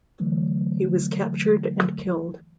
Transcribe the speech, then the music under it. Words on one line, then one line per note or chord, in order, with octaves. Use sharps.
He was captured and killed.
D3 E3 F#3 A3